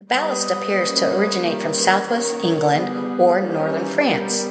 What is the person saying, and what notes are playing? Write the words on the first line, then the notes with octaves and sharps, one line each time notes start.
The ballast appears to originate from southwest England or Northern France.
G3 B3 B4 D#5
G3 A#3 C#4
B4 D#5
D#3 G3 A#3 C#4 G4 A#4
G#4 B4
D#3 A#3 C#4 A#4 C#5
G3 B3 G#4 B4
E3 G3 A#3 C#4 D#4 G4
G3 B3 G4 A#4